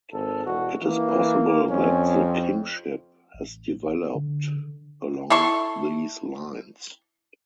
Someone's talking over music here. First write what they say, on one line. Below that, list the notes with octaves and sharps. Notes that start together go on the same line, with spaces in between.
It is possible that the kingship has developed along these lines.
G#1 A4
E1 F#4
E3 A#3
F2 C#4
C4
A1
D3
E4 A4 C6 C#6